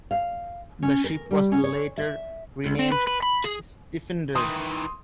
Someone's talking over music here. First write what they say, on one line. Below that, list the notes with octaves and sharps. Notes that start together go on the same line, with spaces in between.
The ship was later renamed Stifinder.
F5
C#4
A#4
G3
C#4
C#5
E5
C#2
C4
B4
B4
B5
G#4
D#3 E3 C6 D#6